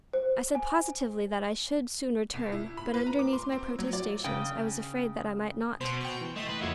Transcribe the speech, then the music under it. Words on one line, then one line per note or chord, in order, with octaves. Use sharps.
I said positively that I should soon return, but underneath my protestations I was afraid that I might not.
C5
G#5
C2
E4
B5
B4
A#5
D6
C6
C4
F#3
D5
C#3 G5
B2 C5 B5 C6
G5 C#6
E3
A3 D#5 C6
B4
F2 A#3 F#4 C#5 E5